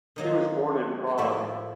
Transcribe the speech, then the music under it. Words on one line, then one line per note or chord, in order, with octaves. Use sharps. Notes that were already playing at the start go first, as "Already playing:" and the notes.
He was born in Prague.
D#3 F#3 A#3 D#4 D#5
A2 F3 A#3 E4 E5